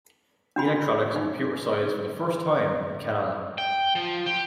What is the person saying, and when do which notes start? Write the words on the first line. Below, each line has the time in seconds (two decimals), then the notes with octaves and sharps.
Electronics and Computer Science for the first time in Kerala.
0.56 D4 F#4 B5
1.16 D#4
3.58 G5
3.95 F3
4.26 G4